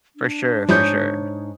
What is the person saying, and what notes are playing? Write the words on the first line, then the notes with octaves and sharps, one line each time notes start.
For sure, for sure.
D4
G#2 F3 G3 E4 C#5 D#6 G6